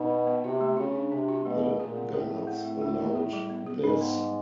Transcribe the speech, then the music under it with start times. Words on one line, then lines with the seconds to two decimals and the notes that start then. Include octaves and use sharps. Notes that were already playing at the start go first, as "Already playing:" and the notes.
The guards allowed this.
Already playing: B2 D#4
0.10 B3
0.27 B3
0.44 C3 F#4
0.61 A3
0.77 C#3 F#4
0.94 D4
1.11 C3 D4
1.28 F#4
1.45 B2 A3
1.63 A3
1.79 A#2 G#4
1.97 C4
2.14 A2 G#4
2.31 G#4
2.47 C4
2.64 A3
2.81 A3
2.98 A3
3.15 G#4
3.33 G3
3.50 B3
3.66 G#4
3.84 G#2 D#4
4.01 B3
4.18 G3